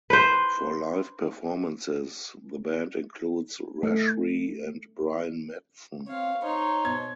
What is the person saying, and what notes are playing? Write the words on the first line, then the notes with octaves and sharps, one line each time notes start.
For live performances, the band includes Rashree and Brian Matson.
B4 C5
A3
C4 C#5 F5
D#4 C5 C#5 C6
B2 C5 G#6